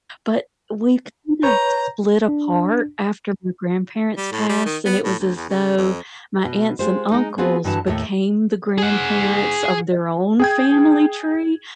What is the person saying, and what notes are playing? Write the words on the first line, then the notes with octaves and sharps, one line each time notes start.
But we kind of split apart after my grandparents passed, and it was as though my aunts and uncles became the grandparents of their own family tree,
B4 C#5 A#5 G6
D4
G3
A2
G3
D#3
B3
A2
D2
E2
C#3
F2
B2
G#3 F4 G4 C5
G#3 D#4
B3 C4 F4 F#4 G#4
G2 D3 E3 F#4 G5 A5
D#2 A2 A4 E5
G#4 F#5
G#4 G5 G#6